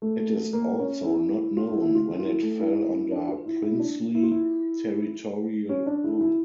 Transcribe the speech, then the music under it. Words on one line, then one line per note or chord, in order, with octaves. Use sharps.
It is also not known when it fell under princely territorial rule.
A3
A#3
C#4
E4
F4
E4
E4
F4
F4
E4
A3
E4
D4
F4
E4
E4
D4
E4
F4
E4
C#4
D4
E4
E4